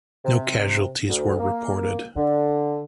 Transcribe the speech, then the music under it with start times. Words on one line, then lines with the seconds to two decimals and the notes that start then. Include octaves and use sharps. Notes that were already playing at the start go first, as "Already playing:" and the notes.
No casualties were reported.
0.25 C3
1.08 D2
1.39 A#3
2.17 D3